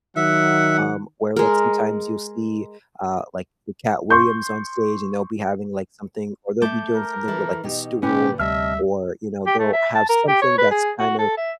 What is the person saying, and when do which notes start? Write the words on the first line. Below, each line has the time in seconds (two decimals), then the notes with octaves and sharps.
um, where look sometimes you'll see, uh, like, the Katt Williams on stage and they'll be having, like, something or they'll be doing something with, like, the stool or, you know, they'll have something that's kind of
0.16 D#3 F#3 E5 F#5
1.36 G#3 A#4
4.10 C6 C#6 G6
6.62 A3 E5 A5 D6 G6
6.96 A#4
7.28 E3 E4 A4
7.64 B2 D#4 G4
8.03 A#2 D3 C#4 G4 B4
8.40 D2 C3 G3 D#5 E5 A5 F6
9.47 G4
9.59 A3
9.73 E5
9.95 A5
10.09 A#4
10.28 G4
10.42 C#5
10.58 B4
10.71 G#4
10.99 F#4
11.18 A4
11.37 E5